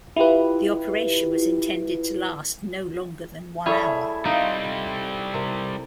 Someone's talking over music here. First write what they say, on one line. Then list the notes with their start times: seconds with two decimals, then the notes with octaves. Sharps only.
The operation was intended to last no longer than one hour.
0.16 E4 F4 G4 B4
3.66 G3 E4 G#4 A4 C#5 E5
4.25 G3 C4 D#4 F4
5.34 C3 A#4